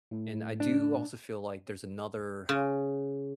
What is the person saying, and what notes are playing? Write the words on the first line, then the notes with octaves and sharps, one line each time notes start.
and, I do also feel like there's another
A2 A3
D4
C#3